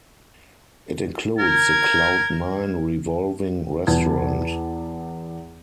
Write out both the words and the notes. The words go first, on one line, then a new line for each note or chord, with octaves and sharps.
It includes the Cloud Nine revolving restaurant.
A#4 G#6
E2 A5 G#6